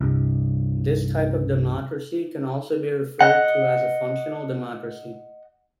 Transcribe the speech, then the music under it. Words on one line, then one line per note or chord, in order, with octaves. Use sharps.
This type of democracy can also be referred to as a functional democracy.
C2 G2
D#5 F#5